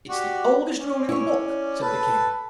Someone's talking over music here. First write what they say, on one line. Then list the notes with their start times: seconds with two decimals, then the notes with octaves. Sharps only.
'It's the oldest rule in the book,' said the King.
0.09 F#4 G4 D5
0.78 C#4 D5
1.09 E4 C#5
1.82 A4 B4 A5